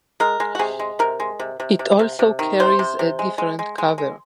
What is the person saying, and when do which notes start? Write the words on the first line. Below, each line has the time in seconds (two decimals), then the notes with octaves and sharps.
It also carries a different cover.
0.20 G#3 A#4
0.40 G#3
0.55 F#4
0.59 C3 G#4
0.79 G#3
0.99 C3 A#4
1.20 G#3
1.39 C3
1.60 C3
1.79 C3
1.99 C3
2.19 C3
2.39 D#3
2.60 C3 C5
2.79 C3
2.99 C3
3.19 G#3
3.38 G#3
3.59 G#3
3.78 G#3
3.98 G#3